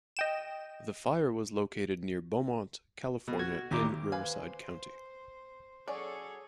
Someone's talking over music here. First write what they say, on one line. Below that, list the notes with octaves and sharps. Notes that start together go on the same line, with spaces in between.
The fire was located near Beaumont, California in Riverside County.
D#5 G5 E7
B2
F#4 G#6
G#1 D#2 G4 A#5 D6
B4 C5 F5 G#5
F#3 C#4 G#4 A4 C#5 D5